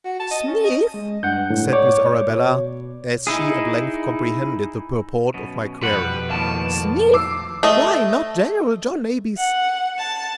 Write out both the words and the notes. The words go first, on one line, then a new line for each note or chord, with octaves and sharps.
"Smith?" said Miss Arabella, as she at length comprehended the purport of my query; "Smith?--why, not General John A. B. C.?"
F#4
A5
D#5
C#4
D#5
G#3
G2 F#5 G6
A2
C#5 D5 D6
B2
D#4 E4 G#4
F#2 B2
F2 B2 G3 B4 F#5
A2 D#3 A#3 A5
D6 E6 C7
A3 D#5
F#5
A5